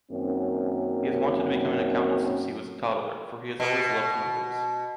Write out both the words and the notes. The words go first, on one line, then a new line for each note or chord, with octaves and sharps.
He has wanted to become an accountant since he was a toddler, for he has always loved numbers.
F#2 D#3 A#3 C4 C#4
B2